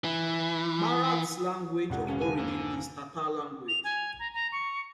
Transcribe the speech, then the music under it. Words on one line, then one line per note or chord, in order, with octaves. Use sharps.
Marat's language of origin is Tatar language.
E3
F1 C#2 F#5
D#1 C#4 F5
D3 F5 G#5 A#5
G#1 F2 D3 A#3 G#5
D#4 A#4
F7
G#5
A#5
A#5
C#6